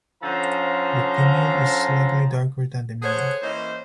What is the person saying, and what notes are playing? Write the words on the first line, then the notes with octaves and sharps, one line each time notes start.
The female is slightly darker than the male.
D3 F3 C#4 A4 C5 A#5
G#4 A4 C5 C#5 F#5
E3 A#3 C#4 D#4 C5